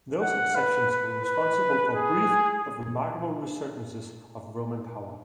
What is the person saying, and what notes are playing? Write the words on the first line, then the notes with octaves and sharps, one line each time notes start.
Those exceptions were responsible for brief, but remarkable resurgences of Roman power.
F#5
B4
B4
B4
G#4